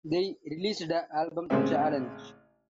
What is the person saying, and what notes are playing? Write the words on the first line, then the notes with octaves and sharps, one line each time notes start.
They released the album Challenge!
A1 C#3 G#3 C4 E5